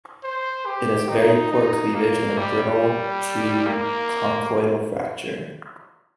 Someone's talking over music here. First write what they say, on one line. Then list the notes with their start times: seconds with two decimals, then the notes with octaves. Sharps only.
It has very poor cleavage and a brittle to conchoidal fracture.
0.23 C5
0.66 G4
1.09 D#4
1.52 D#4
1.95 A#3
2.38 G3
3.67 A#3